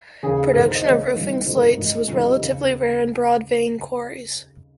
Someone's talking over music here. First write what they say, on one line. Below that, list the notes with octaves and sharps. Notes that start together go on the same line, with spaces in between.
Production of roofing slates was relatively rare in Broad Vein quarries.
D#2 C#3 G#4
G#1 G#2 D#3 A#4
C5
D#5
C#2 C#3 C#5
C2 C3 D#3
G1 F2 C3 D#3 C5
A#4
G#1 G#2 D#3 D#4
D#4
G1 F2 C3 D#3 C#4
D#4
G4
D#2 C#3